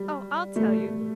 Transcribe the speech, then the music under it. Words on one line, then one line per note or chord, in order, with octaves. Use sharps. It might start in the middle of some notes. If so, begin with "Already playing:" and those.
Oh, I'll tell you!
Already playing: G3
A3